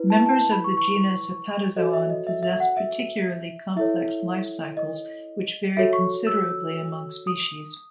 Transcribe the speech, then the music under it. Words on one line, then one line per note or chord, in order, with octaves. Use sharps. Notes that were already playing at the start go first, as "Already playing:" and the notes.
Members of the genus "Hepatozoon" possess particularly complex lifecycles which vary considerably among species.
Already playing: E4 B4
A5
A5
A5
B5
C#6
C#6
F#4 A4 C#5 D#5
E5
D#5
E5
E5
F#5
E5
E4 A4 C#5 E5
D#5
F#4 A4 C#5 E5
C#6
E6
D#6